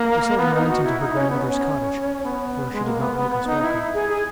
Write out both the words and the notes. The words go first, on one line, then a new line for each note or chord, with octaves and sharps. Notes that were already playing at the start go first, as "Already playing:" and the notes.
We seldom went into her grandmother's cottage, for she did not make us welcome.
Already playing: A#3
B3
D#4
F#4
E4
D#4
C#4
B3
C#4
B3
G#3
A#3
B3
B3
B3
D#4
E4
G#4
G#4